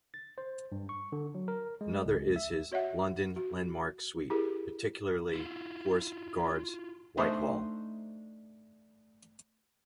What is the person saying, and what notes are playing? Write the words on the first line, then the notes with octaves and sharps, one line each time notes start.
Another is his "London Landmarks Suite", particularly "Horse Guards, Whitehall".
A6
C5
G2
C#6
D3
F#3
A#4
G#3
C#2
E5
F#4 C#5 D#5 E5 F#5
F#4
E4 G4 G#4 A#4
E4 F4
A3 D4 D#4 C5 D#5